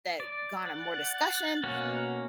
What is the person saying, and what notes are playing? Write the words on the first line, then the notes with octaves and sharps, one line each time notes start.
that garner more discussion
D5
F#5 F#6 A6
B2 A#3 C#4 F#5